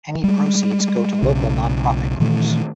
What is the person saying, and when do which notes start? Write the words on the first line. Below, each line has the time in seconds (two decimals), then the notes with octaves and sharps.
Any proceeds go to local non-profit groups.
0.24 G3 G#3
1.22 B1 C#3
2.20 A#2 D#3 E3 A3